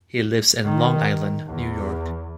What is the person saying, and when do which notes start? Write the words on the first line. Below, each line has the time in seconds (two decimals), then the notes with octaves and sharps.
He lives in Long Island, New York.
0.67 D#3
1.50 E2